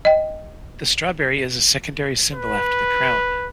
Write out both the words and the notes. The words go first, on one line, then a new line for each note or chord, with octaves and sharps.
The strawberry is a secondary symbol after the crown.
D#5 G5
B4